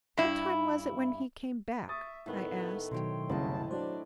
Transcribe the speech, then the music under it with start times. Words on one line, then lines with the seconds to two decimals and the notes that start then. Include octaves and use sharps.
"What time was it when he came back?" I asked.
0.17 G2 E4
1.89 E5 C#6 D#6 A6
2.26 A2 D#3 A3 B3
2.91 B2 D#3 F#3 C5 C#5 G5
3.29 F#1 C2 C#3 E4 D#5 A5 B5
3.71 F#3 D4 C5 D5